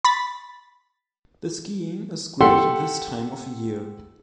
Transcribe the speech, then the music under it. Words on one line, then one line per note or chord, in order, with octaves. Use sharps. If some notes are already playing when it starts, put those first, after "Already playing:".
The skiing is great this time of year.
B5 A6 B6
G4 A4 F#5 G5 C6